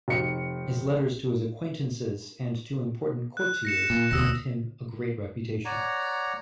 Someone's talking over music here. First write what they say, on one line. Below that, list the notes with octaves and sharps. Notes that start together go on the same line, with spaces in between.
His letters to his acquaintances and to important courtiers gained him a great reputation.
F1 D#4 C#7
F#6
A#6 C#7 E7
A#2
E1 D2 D#6 E6 A#6
C#5 D5 F#5 A#5